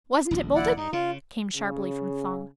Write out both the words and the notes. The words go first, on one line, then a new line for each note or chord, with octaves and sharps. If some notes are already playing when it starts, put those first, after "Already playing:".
"Wasn't it bolted?" came sharply from Thong.
D#1 A#1
E4 D5 F#5
G2 D#4
C#3 F4
C#3